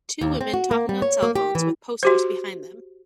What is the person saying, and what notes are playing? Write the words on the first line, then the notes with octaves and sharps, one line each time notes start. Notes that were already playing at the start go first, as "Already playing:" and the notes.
Two women talking on cellphones, with posters behind them.
D#2
C4
F#4
A#3
G3
C#5
A#3
G4
E3
F#4 G4 C5